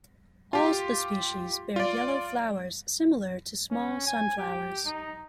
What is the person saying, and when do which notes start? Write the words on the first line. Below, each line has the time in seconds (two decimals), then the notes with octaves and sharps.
All the species bear yellow flowers similar to small sunflowers.
0.53 F4 G4
1.76 F4 D5
3.71 C#4
4.07 G#5
4.38 G4
4.86 D#4